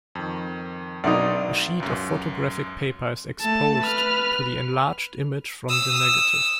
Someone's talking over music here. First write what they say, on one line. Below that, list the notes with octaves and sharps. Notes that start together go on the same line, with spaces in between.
A sheet of photographic paper is exposed to the enlarged image from the negative.
F2 D#3
B1 F#3 D#4 D5
C#2 F#2
A3 A5
B4 F6
D#6 E6